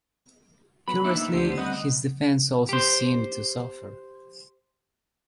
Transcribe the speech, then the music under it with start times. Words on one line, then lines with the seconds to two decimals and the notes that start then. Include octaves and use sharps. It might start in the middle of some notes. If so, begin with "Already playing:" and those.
Curiously, his defense also seemed to suffer.
0.88 F#3 B3 B5
1.04 A#3 D4 D#4 E5
1.33 D2 B3 G4 C5
1.57 D2 G3 C4 D#5 F#5
2.69 G4 C5